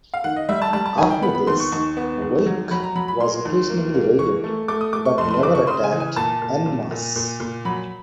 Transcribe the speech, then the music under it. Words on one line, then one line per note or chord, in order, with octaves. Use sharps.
After this, Wake was occasionally raided but never attacked "en masse".
F5
D#3 F#5
D#5
G3 E5
A5
G3 A5
A5
D#3 G#5
G5
B3 B5
B5
D#2 C6
C#6
D#2 C#6
B3
D#2
F#3
F#3 B5
A#5
F#3 B5
B5
A#3 C6
D#2
A#3
A#3
E3 C#6
A3
A3 D6
D#6
A3 D6
C#6
F2 C6
C6
C#3 D6
C#6
C#3 C6
G#5
E3
G#5
A#2 A5
A#2
A#2
A#2
A#2
A#2
F#3 B5